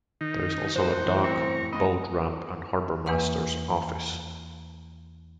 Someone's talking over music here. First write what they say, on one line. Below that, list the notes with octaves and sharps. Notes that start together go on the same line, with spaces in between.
There is also a dock, boat ramp and harbormaster's office.
D#3 D#4
F2 D#3 F4 F#4 C5
A2 E3
C4 A#5 C#6
A3 C#4 D#5 B5
E2 E3 A#3 B4 F#5 C6